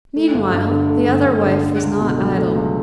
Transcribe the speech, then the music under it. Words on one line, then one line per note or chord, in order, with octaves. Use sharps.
Meanwhile the other wife was not idle.
A3
G1
G2
D3
A3
G1
G2
D3
A3
C#2
B2
F#3
A3
C#2